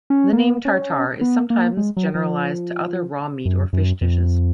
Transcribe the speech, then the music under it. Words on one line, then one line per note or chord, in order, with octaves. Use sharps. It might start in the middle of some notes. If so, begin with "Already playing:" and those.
The name tartare is sometimes generalized to other raw meat or fish dishes.
C#4
A#3
B3
C#4
B3
A#3
G#3
F#3
F3
F#2
F#2
F2